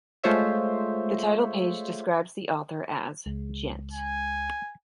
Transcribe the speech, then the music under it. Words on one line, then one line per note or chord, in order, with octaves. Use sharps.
The title page describes the author as "Gent".
G#3 A3 F4 C5 C#5 E5
C#2 G#3
G#5